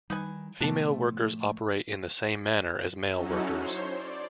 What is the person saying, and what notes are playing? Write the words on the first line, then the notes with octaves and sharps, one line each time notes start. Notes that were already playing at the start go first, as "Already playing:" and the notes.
Female workers operate in the same manner as male workers.
D#3 G3 D#4 B4 G#5
A2 C3 F3 A3 B3 D4 A4
F#3 C#4 D#4 E4 F#4 A4
C5 C#5 C6
D5